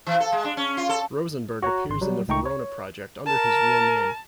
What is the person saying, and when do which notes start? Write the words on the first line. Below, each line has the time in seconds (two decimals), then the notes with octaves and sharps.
Rosenberg appears in the Venona project under his real name.
0.07 E3
0.20 A4
0.32 G#3
0.44 D4
0.57 C#4
0.77 F4
0.89 A4
1.62 F#4 C#5 F#5 A#5
1.89 G#1 C6
2.01 F#3 G3
2.28 C#2 A3 D#4 G5 A#5 C#6
2.46 C#5
3.27 A#4 A5